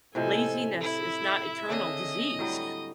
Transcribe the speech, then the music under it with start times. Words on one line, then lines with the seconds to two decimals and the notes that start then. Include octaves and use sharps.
"Laziness is not a terminal disease,"
0.15 A2 C3 F3 A4 C5 D#5 G#5
0.81 E4 A4 E5
1.70 D3 C4 G#4 C#5 D#5 G#5
2.39 A2 F#3 G3